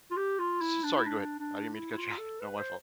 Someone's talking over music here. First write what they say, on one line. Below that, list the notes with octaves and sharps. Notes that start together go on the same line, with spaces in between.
s sorry, go ahead. I didn't mean to cut you off. No, my fault.
F4
G4
F4
E4
D4
E4
D4
D4
E4
E4
F4
A4
B4
C5